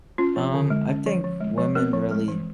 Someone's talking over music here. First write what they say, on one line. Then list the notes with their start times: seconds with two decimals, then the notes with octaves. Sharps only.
Um, I think women really
0.18 C#4 F4
0.36 F3
0.54 D3
0.70 G#3
0.89 C#4
1.06 F3
1.24 F3
1.41 G#3
1.58 F3
1.75 C4 A#4
1.93 F3
2.11 G#3
2.28 E3